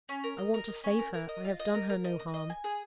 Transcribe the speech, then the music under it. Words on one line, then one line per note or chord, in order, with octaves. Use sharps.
I want to save her; I have done her no harm.
C#4
A#4
D#5
A#4
D#5
C#4
A#4
A#4
D#5
F4
D#5
A#4
A#4
D#5
D#5
D#5
G#5
G#4